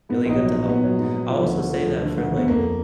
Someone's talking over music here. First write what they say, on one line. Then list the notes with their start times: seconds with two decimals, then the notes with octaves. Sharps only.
really good to help. I'll also say that, for, like,
0.09 G#2 B3
0.25 A#1 B3 D#4
0.40 F#3
0.54 A#1
0.69 A#1 B3
0.84 F#3
0.99 G#2
1.14 G#2
1.29 F3
1.44 D2
1.58 D2
1.73 F3
1.88 D2
2.03 D3
2.18 D2
2.32 D2 B3
2.48 F2 A#3